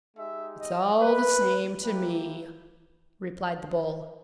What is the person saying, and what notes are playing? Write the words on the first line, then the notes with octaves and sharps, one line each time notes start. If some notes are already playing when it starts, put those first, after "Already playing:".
"It's all the same to me," replied the Bull.
G#3 D#4 G4 E5
D#5
B4
A#3 E4 G4 B4